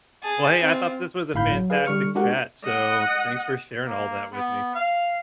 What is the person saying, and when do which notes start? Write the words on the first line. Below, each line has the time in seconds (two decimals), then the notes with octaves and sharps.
Well, hey, I thought this was a fantastic chat. So, thanks for sharing all that with me.
0.23 G#4 A5
0.60 C4 F4
1.34 G1 A2 F5 B5 G6
1.52 F#3
1.70 G#4 B4 F5
1.86 D3 G3 C#6 F6 C#7
2.15 G#3 D4 F#4 G4 A#4 F#5
2.64 D#5 F#5
3.86 A#3
4.33 B3
4.75 F5